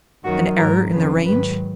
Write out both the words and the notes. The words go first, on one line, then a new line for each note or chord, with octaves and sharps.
An error in the range?
F#2 D#3 F#3 F#4
G#2 F#3 A#4
F2 C#3 F3 B4
G#2 D#3 F#3 B4